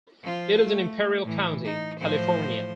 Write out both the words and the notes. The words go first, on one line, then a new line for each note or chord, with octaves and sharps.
It is in Imperial County, California.
F3 F4
A3
A2 E3
D#4
A2 F3 C5